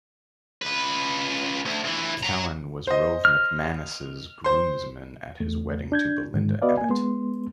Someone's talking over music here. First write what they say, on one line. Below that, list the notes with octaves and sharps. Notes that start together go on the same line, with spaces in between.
Callan was Rove McManus' groomsman at his wedding to Belinda Emmett.
C#2 B4
D2
D2 E3
F#5 A#5
C5 D#5
F6
C5 C6
E2 A3
D4 G6 G#6
G#2 D#3 G#3
B3 F#4 B4 D5 D#5 F5
A#3 G#5
G#3 B3 C6